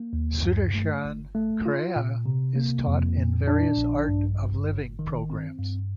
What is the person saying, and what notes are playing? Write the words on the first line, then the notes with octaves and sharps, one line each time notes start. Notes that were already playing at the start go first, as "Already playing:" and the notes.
Sudarshan Kriya is taught in various Art of Living programs.
Already playing: A#3
D#2
G2
A3
G1
A3
F4
A#2
C3
A#3
F2
A#2
D4
A#1
G2
G1
G1
D#3
C4
G2